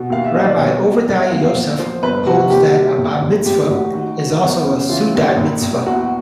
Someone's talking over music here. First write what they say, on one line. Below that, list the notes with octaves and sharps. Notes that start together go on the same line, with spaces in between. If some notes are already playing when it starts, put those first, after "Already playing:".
Rabbi Ovadiah Yosef holds that a Bat Mitzvah is also a seudat mitzvah.
Already playing: B2
D#2 F5
E5
D#2 D#5
D5
B1 C#5
B2
E2
E5
E2 F5
F5
A#2
F3 C5
G1 B4
C3 F#4
D#2 G4
F#3
A#1
A#1
A1 G4
A1 F#4
D#3 F#4
F#3
E2
C#3
E3 F4
D#2
A#1
A#1
E2 F#4